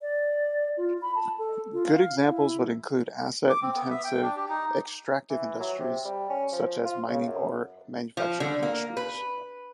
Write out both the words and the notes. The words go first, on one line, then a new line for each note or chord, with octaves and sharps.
Good examples would include asset-intensive extractive industries such as mining, or manufacturing industries.
D5
F4
B5
A5
A4
F4
F5
E4
D6
C4
B3
E5
G5
D4
G4
D#4
E3
F#3
C3
G3
C#4
F3
F4
C#3
F#2
F3
D3
A#3
B4